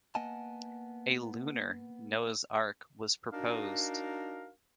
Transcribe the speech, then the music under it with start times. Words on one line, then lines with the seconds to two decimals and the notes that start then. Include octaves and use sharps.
A Lunar Noah's Ark was proposed.
0.15 A#3 B3 D#5 F#5 G#5 A5
3.33 D4 D#4 F#4 A#4 F5